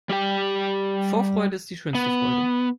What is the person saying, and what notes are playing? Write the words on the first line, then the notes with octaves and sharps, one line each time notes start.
Vorfreude ist die schönste Freude.
G3 G4 G5
B3